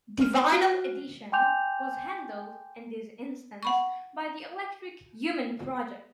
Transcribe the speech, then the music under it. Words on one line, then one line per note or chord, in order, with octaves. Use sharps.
The vinyl edition was handled, in this instance, by the Electric Human Project.
F6
F#4
G5 G#5 C6 D6 G6 F7
F#5 B5 C#6